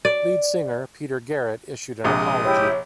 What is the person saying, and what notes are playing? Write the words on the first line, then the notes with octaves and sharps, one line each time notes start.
Lead singer, Peter Garrett issued an apology.
D5
A#1 C3 G#3 D#6
E4 G4 C#5